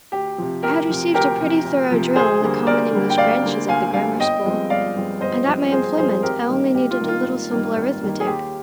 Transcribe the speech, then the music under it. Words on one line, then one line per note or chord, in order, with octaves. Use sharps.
I had received a pretty thorough drill in the common English branches at the grammar school, and at my employment I only needed a little simple arithmetic.
D2 G4
C3 F3
D2 G4 A#4
C3 F3
D2 G4 A#4
C3 F3
D2
C3 F3
D2 G#4 C5
D3 G3 A#3
D2 A#4 D5
D3 G3 A#3
G5
D2 D5 F5
D3 G3 A#3
D2 F5 G#5
D3 G3 A#3 F5 G#5
G1 D#5 G5
G2 F3 G#3 C4
G1 D5 F5
G2 F3 G#3 C4
G1 C5 D#5
G2 F3 G#3 C4
G1 G#4 C5
G2 F3 G#3 C4 G#4 C5
G#1 G4 A#4
G2 D#3 A#3
G#1 G4
F4
G2 D#3 A#3
F4
G#1
G2 D#3 A#3
G#1
G2 D#3 A#3
G#4
D#2 G4